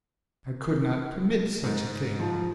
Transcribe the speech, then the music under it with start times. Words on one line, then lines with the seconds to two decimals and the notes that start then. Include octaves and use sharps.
I could not permit such a thing.
1.64 G#2
2.20 F3